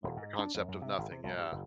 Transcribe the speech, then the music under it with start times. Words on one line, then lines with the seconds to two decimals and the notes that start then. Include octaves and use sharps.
Like, the concept of nothing, yeah.
0.04 D#1
0.17 G#2
0.39 D4
0.54 F2
0.68 F#2
0.82 C3
0.98 G#1
1.11 C3
1.23 C2
1.37 G2
1.52 F#1